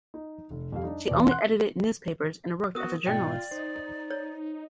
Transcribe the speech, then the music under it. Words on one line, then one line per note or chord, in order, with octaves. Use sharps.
She only edited newspapers and worked as a journalist.
D#4
F1
F2 G3 F5
D4 D#4
E2 B2 D5
F#5 C6 F#6
B3 F#4 A#4 D#6
G#2 B2 D#4 F4 D5 G5
D#4 C5
C#5